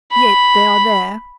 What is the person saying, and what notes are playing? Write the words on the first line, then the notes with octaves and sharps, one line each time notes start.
Yet they are there.
B5